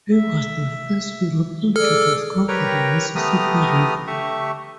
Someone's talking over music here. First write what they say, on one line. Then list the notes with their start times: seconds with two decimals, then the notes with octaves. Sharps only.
He was the first European to discover the Mississippi River.
0.13 E5
1.76 G#4 A4 D5 E6 F6
2.48 G4 A#4 B4 C#5 G5 A#5
3.16 A3 B3 G4 A#5 D#6 F6
4.07 A3 G4 E5 C#6